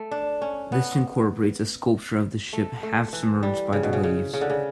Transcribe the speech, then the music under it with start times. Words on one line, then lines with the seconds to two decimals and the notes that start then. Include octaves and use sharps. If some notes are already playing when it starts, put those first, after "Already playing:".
This incorporates a sculpture of the ship, half-submerged by the waves.
Already playing: A3
0.11 D4
0.42 C#4
0.72 B3
2.53 A3
2.83 A3
3.13 E3
3.43 G3
3.73 C#3
3.83 B2
3.93 C#3
4.03 C#3
4.34 C#3
4.41 D3
4.50 C#3